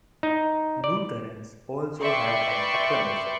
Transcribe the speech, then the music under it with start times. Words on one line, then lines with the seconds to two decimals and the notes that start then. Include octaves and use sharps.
Lutherans also have an acclamation.
0.23 D#4
0.84 D5
2.01 B4 D5 E5 G5 C6 C#6